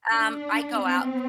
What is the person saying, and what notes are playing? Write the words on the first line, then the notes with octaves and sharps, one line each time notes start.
Um, I go out.
D4
C4